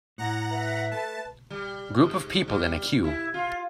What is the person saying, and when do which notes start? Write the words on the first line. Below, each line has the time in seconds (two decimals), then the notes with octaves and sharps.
Group of people in a queue.
0.18 A2 E4 F#5 A#5 A#6
0.51 B4 E5
0.91 A3 A5
1.50 G3
2.01 G#2
2.48 G3
3.04 E4
3.34 F4